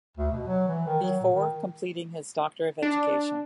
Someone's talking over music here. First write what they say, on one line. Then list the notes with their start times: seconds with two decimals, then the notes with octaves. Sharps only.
Before completing his Ed.D.
0.17 D2
0.31 B2
0.47 F#3
0.68 E3
0.87 D#3
1.02 F#3
1.21 A#2
1.33 D#3
2.82 D4